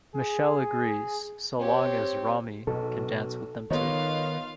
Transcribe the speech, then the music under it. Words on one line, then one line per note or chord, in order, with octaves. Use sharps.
Michele agrees, so long as Romy can dance with them too.
G#4
C4 G4 C#5
B1 B2 A4
D#3 B3 D#4 F4 C#5 F5